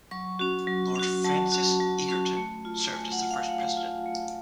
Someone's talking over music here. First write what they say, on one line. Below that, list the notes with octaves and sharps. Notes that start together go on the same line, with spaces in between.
Lord Francis Egerton served as the first President.
F#3 C#6
C#4 F#4
F#3
C#4 F#4
F#3 A5
C#4 F#4
F#3
C#4 F#4
A3
F4
A3 G#5
F#5
F4
F5
A3 F#5
F4
A3